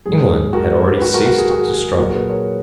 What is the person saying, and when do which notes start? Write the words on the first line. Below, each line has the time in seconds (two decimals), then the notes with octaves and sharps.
England had already ceased to struggle.
0.06 G#2 F#3 G#4
0.53 F#4 A#4
0.97 B4
1.02 F#4 A#4
1.14 F#4 A#4
1.26 F#4
1.38 G#4
1.50 F#4
1.64 A#4
1.74 G#4
1.98 A#2 F#3 F#4 A#4
2.14 G#4 B4
2.29 A#4 C#5